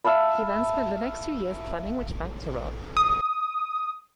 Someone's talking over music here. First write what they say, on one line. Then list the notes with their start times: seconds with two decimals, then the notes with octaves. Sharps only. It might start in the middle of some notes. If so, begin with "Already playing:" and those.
He then spent the next two years planning which bank to rob.
0.04 E5 F5 A5 B5
2.97 D#6